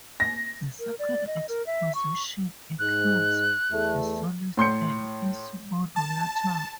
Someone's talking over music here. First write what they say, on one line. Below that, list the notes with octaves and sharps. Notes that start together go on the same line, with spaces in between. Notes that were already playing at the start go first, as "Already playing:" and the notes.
The second exposition includes the soloist and is modulatory.
A#6
A#4
D5
D#5
A#4
E5
C#6
G#2 F#6
E2 A3
A2 C6 G6 C#7
A5